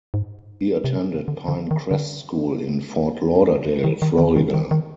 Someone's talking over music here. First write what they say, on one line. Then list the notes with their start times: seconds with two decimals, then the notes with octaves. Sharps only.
He attended Pine Crest School in Fort Lauderdale, Florida.
0.14 G#2
0.84 C3
1.28 D3
1.48 D3
1.71 D#3
1.91 D3
3.84 D#3
4.02 D#3
4.18 D#3
4.36 D#3
4.54 D#3
4.71 D#3